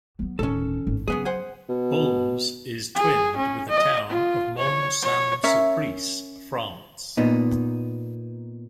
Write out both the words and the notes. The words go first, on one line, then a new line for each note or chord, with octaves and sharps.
Baulmes is twinned with the town of Mont-Saint-Sulpice, France.
F#3 B3
D1 D#3 C#4 A4
G#1 A2
C#3 F#3 B3 G#4
C5 F#5 G#5
B2
G#4
C#4
D#5
F4
C#5
C#5
C#4 A#4 C#5 E5
A#2 B3 D#4